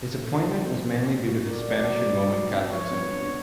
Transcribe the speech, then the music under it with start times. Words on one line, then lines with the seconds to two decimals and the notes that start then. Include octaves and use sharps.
His appointment was mainly due to his Spanish and Roman Catholic sympathies.
0.23 A3
0.43 F4
0.63 F3
0.84 C4
1.04 C4
1.26 F#4
1.46 A#3 D5
1.67 F#3
1.88 F#3
2.08 B2
2.30 F#3
2.50 C4
2.70 F3 C#5
2.91 B3
3.11 D4